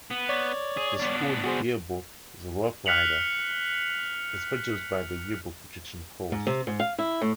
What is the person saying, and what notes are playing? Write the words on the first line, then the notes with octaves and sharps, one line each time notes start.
The school yearbook, the "Rough Rider", is produced by the yearbook production course.
B3
C#5 D5
G#4
B3 D4
F#4 G#4 C5
F6 F#6 B6 C#7 F7 F#7
G#2
C3
G#2
F5
E4
A2